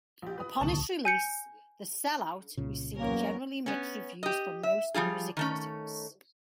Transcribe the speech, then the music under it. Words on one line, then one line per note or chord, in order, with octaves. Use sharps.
Upon its release, "The Sellout" received generally mixed reviews from most music critics.
A#1 G4
B4 D#6
D1 C2 D3 A5 C#6 F#7
G#5 G6 C#7
C2 A#2 C#3
E2 F#3 A#3 C#4 A#4
B3 C#4
G4 D#5
E5
F3 G3 F4 G#4
D#3 A3 C#4